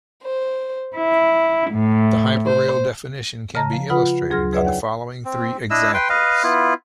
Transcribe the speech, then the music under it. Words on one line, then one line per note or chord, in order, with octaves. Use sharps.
The hyperreal definition can be illustrated by the following three examples.
C5
E4
A2
C5
C#3 D#5 A5 A#5 A#6
F3
F4 B4 F#5 B5 D#6
D2 F#3 G#4 C6 F6 A#6
G#4 B4 C#5 D5 E5 F#5
D#2 F#5
C4
D4 E4 D#5 E6
B4 G5 C6
B4 D#5 F5
B3 E4 F4